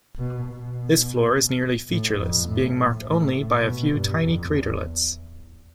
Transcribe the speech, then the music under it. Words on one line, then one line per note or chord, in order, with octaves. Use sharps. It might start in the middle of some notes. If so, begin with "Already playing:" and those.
This floor is nearly featureless, being marked only by a few tiny craterlets.
B2
B2
A2
F2
A2
A2
A2
B2
G2
F2
E2